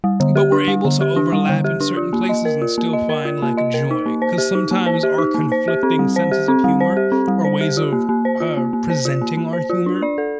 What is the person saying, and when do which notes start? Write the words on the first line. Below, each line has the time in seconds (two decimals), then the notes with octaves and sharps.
but we're able to overlap in certain places and still find, like, joy. 'Cause sometimes our conflicting senses of humor or ways of, er, presenting our humor
0.04 G3
0.20 D3
0.36 G4
0.52 D4
0.68 G3
0.85 D3
1.01 G4
1.16 D4
1.33 G3
1.49 D3
1.64 G4
1.80 D4
1.97 F4
2.13 A#3
2.29 D#5
2.45 A#4
2.62 F4
2.78 A#3
2.93 D#5
3.09 A#4
3.25 F4
3.42 A#3
3.57 D#5
3.74 A#4
3.91 D#4
4.06 A#3
4.22 C5
4.38 G4
4.55 D#4
4.71 A#3
4.86 C5
5.03 G4
5.18 D#4
5.34 A#3
5.52 C5
5.68 G4
5.83 C4
5.99 G3
6.16 C5
6.31 G4
6.48 C4
6.64 G3
6.81 C5
6.97 G4
7.12 C4
7.28 G3
7.45 C5
7.61 G4
7.77 F4
7.93 A#3
8.09 A#3
8.25 C5
8.40 F4
8.57 A#3
8.73 A#3
8.90 C5
9.05 F4
9.22 A#3
9.37 A#3
9.53 C5
9.70 F4
9.86 D4
10.02 D5
10.18 A4